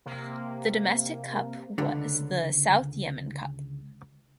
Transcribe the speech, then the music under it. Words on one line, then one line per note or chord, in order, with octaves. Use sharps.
The domestic cup was the South Yemen Cup.
C3 A#3
C#2 D3